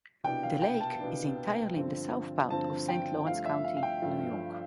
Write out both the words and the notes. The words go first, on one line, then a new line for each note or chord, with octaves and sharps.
The lake is entirely in the south part of Saint Lawrence County, New York.
C2 B2 B3 D4 G5
F5
G5
A5
C2 B2 B3 D4
G2 D3 F3 C4
G2 D3 F3 C4 A5
G5
G2 F3 A3 F5
E5
F5
F5
G5
G2 F3 A3